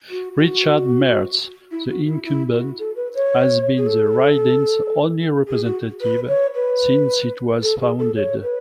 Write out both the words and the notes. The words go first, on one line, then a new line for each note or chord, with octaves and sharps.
Richard Marz, the incumbent, has been the riding's only representative since it was founded.
F#4
F#4
E4
F#4
E4
E4
F#4
A4
B4
C#5
G#4
A4
G#4
F#4
B4
C#5
B4
A4
G#4
A4
C#5
B4